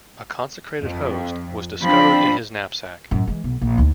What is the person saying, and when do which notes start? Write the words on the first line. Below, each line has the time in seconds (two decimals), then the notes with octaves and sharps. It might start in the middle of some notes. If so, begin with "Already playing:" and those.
A consecrated Host was discovered in his knapsack.
0.82 F2
1.83 F3 C4 D4 B5
3.11 F#2 A2
3.28 E3 G#3
3.44 B1
3.61 A#1
3.78 D2 D#4